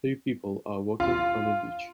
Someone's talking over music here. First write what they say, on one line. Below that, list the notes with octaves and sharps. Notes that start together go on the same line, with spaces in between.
Three people are walking on a beach.
F4